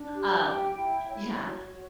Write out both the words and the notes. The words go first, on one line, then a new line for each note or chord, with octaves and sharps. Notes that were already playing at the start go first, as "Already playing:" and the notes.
Um, yeah.
Already playing: D4
G4
G5
E4
C#5
F#4
F#4